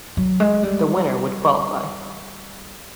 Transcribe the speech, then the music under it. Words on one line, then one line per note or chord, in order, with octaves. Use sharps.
The winner would qualify.
F#3
G#3
G3